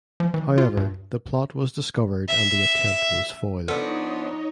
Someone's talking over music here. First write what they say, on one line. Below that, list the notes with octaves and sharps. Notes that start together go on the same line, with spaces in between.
However the plot was discovered and the attempt was foiled.
F3
E3
F4
G2
E5
F3 B3 D4 D#4 A4 C#5 D#5